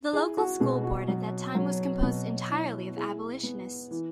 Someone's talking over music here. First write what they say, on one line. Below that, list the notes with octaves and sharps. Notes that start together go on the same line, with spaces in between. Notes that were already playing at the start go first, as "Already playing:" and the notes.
The local school board at that time was composed entirely of abolitionists.
E4 G#4
F#4
B2 G#4
F#4
F#3
F#3
B2
E4
E4 G#4
B3
E3